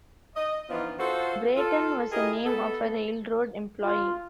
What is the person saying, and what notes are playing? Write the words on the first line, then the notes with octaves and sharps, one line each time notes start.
Brayton was the name of a railroad employee.
D#5
E3 F3 B3 D4 D#4 F4
F4 F#4 A4 C5
F4 A4
E4 G4 G#4 A#4 D#5
B3 A4
F4